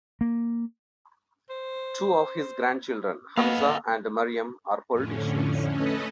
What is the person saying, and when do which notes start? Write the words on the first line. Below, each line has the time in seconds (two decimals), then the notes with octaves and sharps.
Two of his grandchildren, Hamza and Maryam are politicians.
0.21 A#3
1.50 C5
3.37 A#3 B3 A4 D#5 F5
4.92 F2 A2 D3 C#4
5.68 A3 C#4 A4 B4 D#5